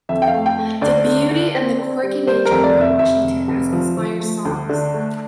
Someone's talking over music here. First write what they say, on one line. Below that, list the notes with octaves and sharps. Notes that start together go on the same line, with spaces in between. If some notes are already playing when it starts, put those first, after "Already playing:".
The "beauty and the quirky nature of Mount Washington" has inspired songs.
F2 E5
G5
F5
A3
G5
A3
D2 D5
D3
D3
C4
C4
G3
G3 C5
A#4
F2
D5
F1
E5
F1 E5
F1
F1
F3
F3
A3
D2
D3
A3